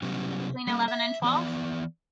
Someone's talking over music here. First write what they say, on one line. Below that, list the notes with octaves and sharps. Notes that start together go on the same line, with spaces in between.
Between eleven and twelve?
C3 F#3 G3 B3 C#4
G3 A#3
E5
E3 B3 D5